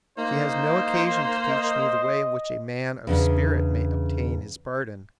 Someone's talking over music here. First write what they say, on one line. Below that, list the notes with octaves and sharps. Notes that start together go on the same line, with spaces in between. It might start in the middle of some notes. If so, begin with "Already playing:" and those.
She has no occasion to teach me the way in which a man of spirit may obtain his pardon.
A#3 D#4 C5
D#5
E2 C#3 D4